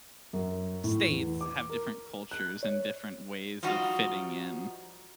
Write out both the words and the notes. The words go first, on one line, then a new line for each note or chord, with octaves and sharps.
states have different cultures and different ways of fitting in.
F#2
A2
E2
D6
A#4
F#6
C#5
F3 G3 D#4 F#4